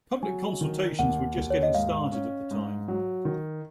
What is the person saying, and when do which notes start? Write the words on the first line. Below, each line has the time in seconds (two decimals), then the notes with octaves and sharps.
Public consultations were just getting started at the time.
0.23 F#3 G#5
0.61 D#3
0.99 D#2 F#5
1.37 D#2
1.50 C#5
1.63 D#5
1.74 G#2 F5
2.12 C#4
2.51 G#2
2.88 F#3
3.25 D#3